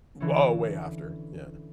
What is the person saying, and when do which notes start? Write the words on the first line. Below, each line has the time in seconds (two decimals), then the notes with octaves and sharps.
W oh, way after. Yeah.
0.20 D3 E3 C#4